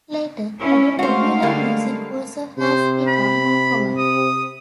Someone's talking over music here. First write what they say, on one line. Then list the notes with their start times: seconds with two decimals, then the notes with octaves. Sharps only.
Later, other popular music also has become more common.
0.58 C#4 E4
0.99 G#3 A3 F#4 C5 F5
1.42 D3 G3 A#3
2.58 C3 C5
3.07 B5
3.98 D#6